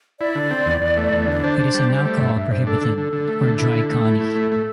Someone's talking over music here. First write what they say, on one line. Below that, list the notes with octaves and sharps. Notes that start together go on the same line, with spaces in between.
It is an alcohol-prohibited or dry county.
E4 D5
D3
C4
E2
E2
A3
E2
D3 D5
D4 C5
D4
G3
G3
A3 C5
G2 E5
G2 E5
G2 C5
D4 A4
D3 A4
D3
D3
A3
D3
E4 A4
D3
A3
E4
A2 A4
A3
A3